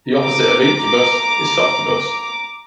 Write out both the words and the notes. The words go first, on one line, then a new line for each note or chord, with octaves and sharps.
The opposite of "incubous" is succubous.
A#5 D6